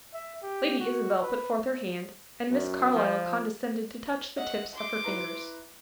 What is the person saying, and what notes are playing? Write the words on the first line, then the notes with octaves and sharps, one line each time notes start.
Lady Isabel put forth her hand, and Miss Carlyle condescended to touch the tips of her fingers.
E5
G4
F#4
B4
F#2
F3
D#5 E5 F#5
C6 D6
E4 B4 A#5